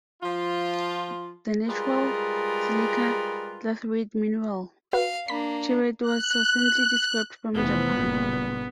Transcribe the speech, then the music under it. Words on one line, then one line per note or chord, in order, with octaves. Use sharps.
The natural silica clathrate mineral, chibaite was recently described from Japan.
F3 F4
G3 G#3 F4 G#4 A#4 B4
F#4 B4 F5
A#3 D4 B5 B6
F#6
F1 E3 F3 B3
F#1 G2 A#2